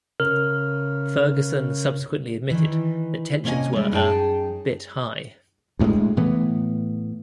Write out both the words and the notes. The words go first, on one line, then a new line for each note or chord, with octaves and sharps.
Ferguson subsequently admitted that tensions were a "bit high".
C#3 A#4 F6
D#3 E3
C3 A#3 C#4 A4 D#5 G#5
G3 G#3
F#2 D#4 G#4 G5 A5
D2 A2 F#3 G#3
A2 E3 B3